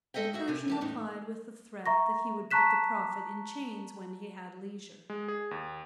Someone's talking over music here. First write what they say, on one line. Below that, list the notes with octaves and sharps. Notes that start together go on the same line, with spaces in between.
The Persian replied with the threat that he would put the Prophet in chains when he had leisure.
G#3 A4 D#5 E5 G5
F#4 G#4 E5
C3 A#4 G#5
E3 G4 A5
E2 A2 D#4
E5 A#5 C#6 A#6
A5 A#5 C#6 F#6 B6 E7
G#3
G#4
D#2